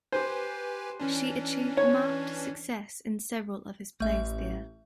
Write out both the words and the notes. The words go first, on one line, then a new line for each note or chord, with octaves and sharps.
She achieved marked success in several of his plays there.
G4 B4 C5 G#5
E3 C#4 D4
C#5
A1 A3 E5